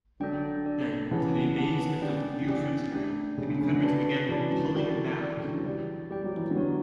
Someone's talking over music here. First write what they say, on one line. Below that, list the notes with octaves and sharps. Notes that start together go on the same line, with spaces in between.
Then, to the amazement of Buford's men, the Confederates began pulling back.
D3 F#3 D4 A4 D5 G5
D4 A4 D5 G5
C#3 E3 G4 B4 F#5 A5
G4 B4 F#5 A5
D3 C#4 G4 D5 G5
D3
D3
E3
D3 C#4 G4 D5 G5
A3 D4 G4
C#3 A3 D4 G4
D3
C#3
D3
F#4 B4 D5 A5
C#3 E3 F#4 B4 D5 A5
D3 F#3
F#3
E3 G3 F#4 A4 D5 G5
F#4 A4 D5 G5
C#3
D3
E3
F#3
E3 G3 G4 D5 G5
G3 G4 D5 G5
F#3
E3
D3 F#3
B3 F#4 C#5